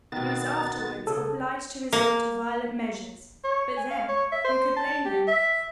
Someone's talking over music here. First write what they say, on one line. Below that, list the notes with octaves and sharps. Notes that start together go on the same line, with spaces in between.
He was afterwards obliged to resort to violent measures; but then, who could blame him?
B2 D#3 B3 A6
C#3 A4
A#3
C#5
G#5
F5
C#5
E5
C5
A5
G4
E5